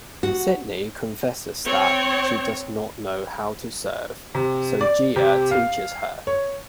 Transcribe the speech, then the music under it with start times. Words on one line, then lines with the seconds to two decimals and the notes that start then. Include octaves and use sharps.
Sydney confesses that she does not know how to surf, so Gia teaches her.
0.23 F#4
1.65 C4 C#5
4.35 C3
4.81 D5
5.16 C3 G4
5.51 F5
6.27 C#5